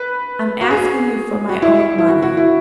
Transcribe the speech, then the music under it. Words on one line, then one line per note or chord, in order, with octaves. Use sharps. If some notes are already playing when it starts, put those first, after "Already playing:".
'I'm asking you for my own money.
Already playing: B4
F#4
G#4
F#4
E4
E4
F#4
F#4
E4